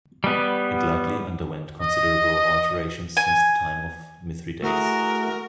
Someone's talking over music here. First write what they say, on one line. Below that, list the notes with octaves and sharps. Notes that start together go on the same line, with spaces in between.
It likely underwent considerable alterations since the time of Mithridates.
G3 B3
D#5
G#5
A3 E4 F#4 G#4 A#4